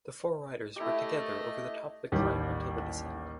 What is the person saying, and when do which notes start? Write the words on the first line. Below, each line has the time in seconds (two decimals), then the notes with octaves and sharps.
The four riders were together over the top of the climb until the descent.
0.76 A3 E4 G4 D#5
2.12 A1 D#2 G3